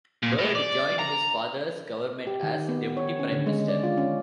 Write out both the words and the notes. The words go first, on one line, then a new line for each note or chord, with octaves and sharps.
Bird joined his father's government as Deputy Prime Minister.
A#2
A2
D5
A#5
G4
D#3
B3
C#5
C#4
D3
G#3
D5
F4
C#4